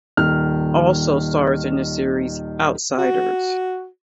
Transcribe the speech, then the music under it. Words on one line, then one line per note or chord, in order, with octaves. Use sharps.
Also stars in the series, Outsiders.
D#1 D#3 F6
F#4